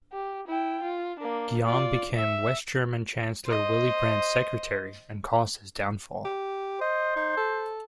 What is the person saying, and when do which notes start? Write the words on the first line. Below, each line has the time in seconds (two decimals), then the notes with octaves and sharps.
Guillaume became West German chancellor Willy Brandt's secretary and caused his downfall.
0.13 G4
0.47 E4 G5
0.83 F4
1.20 A#3 D4
1.63 F4 D5
2.16 E5
3.46 C5 D#5
6.25 G4
6.81 C5 D#5
7.16 D#4
7.37 A4